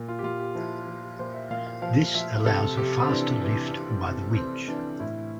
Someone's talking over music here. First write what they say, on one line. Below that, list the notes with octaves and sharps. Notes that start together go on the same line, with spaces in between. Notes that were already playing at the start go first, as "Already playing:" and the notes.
This allows a faster lift by the winch.
Already playing: A#2
F4
G4
A#2 F4
G4
F3 E4
F3
A#2 C5
E5
A#2 F5
F5
F3 F5
F3 E5
C3 A4
C3 G4
C4
E3 D4
E3
C3
C3
E3 C4
E3 D4
A2 E4